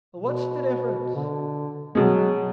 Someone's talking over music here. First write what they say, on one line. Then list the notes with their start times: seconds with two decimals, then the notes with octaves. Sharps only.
"What's the difference?"
0.18 B2
1.15 D3
1.95 B2 F#3 G#3